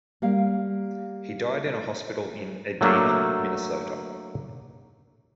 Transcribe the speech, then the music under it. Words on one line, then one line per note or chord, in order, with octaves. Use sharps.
He died in a hospital in Edina, Minnesota.
G3 A#3 F5
F#3 A3 A#3 D4